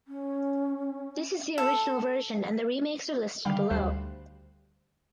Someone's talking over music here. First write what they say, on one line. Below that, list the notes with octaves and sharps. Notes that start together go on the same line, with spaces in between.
This is the original version and the remakes are listed below.
C#4
A4
D3 D#3 G3 F5 G5 B5
D2 G3 G4 C5 F#6